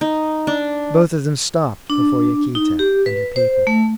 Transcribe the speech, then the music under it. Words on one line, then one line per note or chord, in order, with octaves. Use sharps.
Both of them stopped before Yaquita and her people.
D#4
D4
D4
D#4
G4
B4
C5
A3